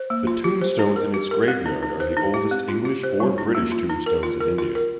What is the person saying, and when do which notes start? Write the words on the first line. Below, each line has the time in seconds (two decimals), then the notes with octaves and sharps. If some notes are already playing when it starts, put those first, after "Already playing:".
The tombstones in its graveyard are the oldest English or British tombstones in India.
Already playing: C5
0.10 A#3
0.27 F4
0.44 G4
0.61 C5
0.79 D#4
0.96 A#4
1.14 G4
1.31 A#4
1.48 C4
1.66 D#4
1.83 D#4
2.00 C5
2.17 D#4
2.34 G4
2.51 C4
2.68 F4
2.85 G4
3.03 C5
3.20 G3
3.38 D#4
3.55 A#3
3.72 F4
3.90 D#4
4.06 A#4
4.23 F4
4.40 A#4
4.58 F4
4.75 A#4